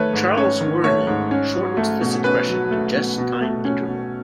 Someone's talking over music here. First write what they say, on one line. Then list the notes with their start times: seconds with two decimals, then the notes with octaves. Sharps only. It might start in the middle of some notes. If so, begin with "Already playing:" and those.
Charles Wuorinen shortens this expression to just time interval.
Already playing: D#3 A3 B4 C#5
0.13 G#2
0.37 C#4 C#5
0.60 D#3
0.84 A3 C#5
1.07 G#2
1.31 C#4
1.54 F#3
1.77 A3
2.01 B2
2.24 C#4 B4
2.48 F#3
2.71 A3
2.95 B2
3.18 B2
3.41 A3
3.65 C#4
3.88 B2